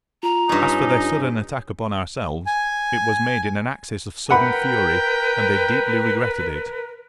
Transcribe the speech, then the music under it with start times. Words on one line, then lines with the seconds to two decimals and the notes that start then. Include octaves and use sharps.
As for their sudden attack upon ourselves, it was made in an access of sudden fury, and they deeply regretted it.
0.23 F4 A#5
0.49 G2 C#4 D#4
2.46 G#5
4.31 A#4 B4 F#5 G5 B5